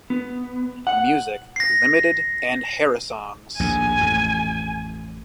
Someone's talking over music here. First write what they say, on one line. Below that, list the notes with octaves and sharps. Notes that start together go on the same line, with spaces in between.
Music, Limited and Harrisongs.
B3
F#5
A#6 C7
A#1 D#2 A2 G#5
A1 F2